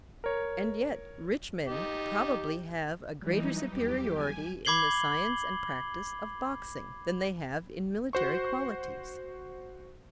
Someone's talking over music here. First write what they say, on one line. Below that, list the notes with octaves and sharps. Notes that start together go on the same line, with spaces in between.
And yet rich men probably have a greater superiority in the science and practise of boxing than they have in military qualities.
A#4 C#5
D#4 G4
E3 F#3 G3 D#4
E2 G4
G#5
B5 D6 G#6 C7 F#7 G7
F#4 C5 C#6